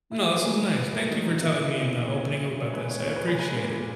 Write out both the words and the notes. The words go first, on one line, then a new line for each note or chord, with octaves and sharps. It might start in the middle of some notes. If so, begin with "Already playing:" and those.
No, this was nice. Thank you for telling me and, uh, opening up about this. I appreciate it.
F#3 E4
G#4
F#3
G#4
D#3 A#4
A#3
G#2 B4
F#3 A#4
D#3 D#4
F#3 D#4
A#2 E4
E4
A#3
D#5
A#2
A#2
A#2 C#5
A#2
F#3
A#2
C#5
G#3 B4
G#3 C#5
A#2 C#5
B4
G#3
B4
G#3 B4
A#2
A#2